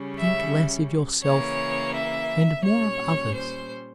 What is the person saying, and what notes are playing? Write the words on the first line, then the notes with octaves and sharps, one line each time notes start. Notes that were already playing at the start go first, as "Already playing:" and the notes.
Think less of yourself and more of others.
Already playing: C#3 G3 C#4
E5
C#3 E3 A#3 C#5
E5
A#2 G3 C#4 C#5
C5